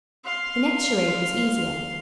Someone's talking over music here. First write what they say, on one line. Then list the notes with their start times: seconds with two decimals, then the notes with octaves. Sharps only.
The next charade was easier.
0.24 F5 C6